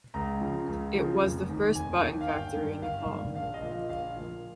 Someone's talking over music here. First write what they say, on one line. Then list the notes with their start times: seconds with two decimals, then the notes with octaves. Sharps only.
It was the first button factory in Nepal.
0.14 C#2 A#5
0.41 C#3 F3
0.68 C#2
0.95 C#3 F3
1.21 F1
1.49 D#2 D#3
1.75 F1 G#5
2.02 D#2 D#3
2.21 F5
2.28 G1 G5
2.55 G2 D#3
2.82 G1 F5
3.09 G2 D#3
3.35 A#1 F5
3.54 D#5
3.62 A#2 F3
3.71 F5
3.89 A#1 F5
4.16 A#2 F3